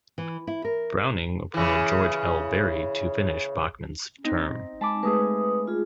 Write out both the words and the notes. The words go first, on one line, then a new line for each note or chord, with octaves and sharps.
Browning appointed George L. Berry to finish Bachman's term.
E3
E4
A#4
C#3 E3
C4 D#4
G#3 A5 B5 D6
G#3 A3 G#4 B4 D#6
F4 G#4